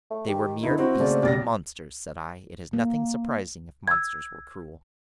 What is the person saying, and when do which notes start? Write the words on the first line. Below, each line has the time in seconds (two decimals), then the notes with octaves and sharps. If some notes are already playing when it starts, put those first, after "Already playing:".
'They were mere beastly monsters,' said I: 'it is nothing surprising if monsters were cruel.'
0.11 A3
0.27 D#3 G4
0.63 D3 B3 D#4 E4
0.78 C4 E4 F#4
0.99 G#2 C#3 A3 A#3 D5
1.23 B1 G3 D6 A6 A#6
2.73 A#3
3.88 E6 G#6